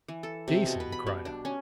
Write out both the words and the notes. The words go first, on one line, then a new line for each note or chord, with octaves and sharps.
"Jason!" he cried out.
E3
A4
C3
B2
B4
B5
G3
D4
C#4